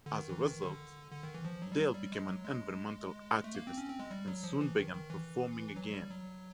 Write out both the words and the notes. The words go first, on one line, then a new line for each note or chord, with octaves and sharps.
As a result, Dale became an environmental activist and soon began performing again.
D3
D#3
E3
D#3
D3
D3
D#3
E3
F3
F#3
G3
F#3
G3
G#3
F#3
G#3
A3
A#3
C4
C#4
C4
G#3
G3
F#3
F3
E3
D#3
D#3
E3
F#3
G3
F#3